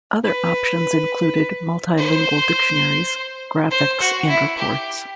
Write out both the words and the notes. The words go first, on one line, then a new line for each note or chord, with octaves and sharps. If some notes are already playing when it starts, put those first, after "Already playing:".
Other options included multilingual dictionaries, graphics, and reports.
B4
C5
C5
F#4
E4
G4